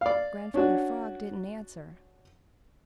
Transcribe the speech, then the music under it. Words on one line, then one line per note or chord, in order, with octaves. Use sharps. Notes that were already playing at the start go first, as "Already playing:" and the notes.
Grandfather Frog didn't answer.
D5 F5
C#4 D4 F#4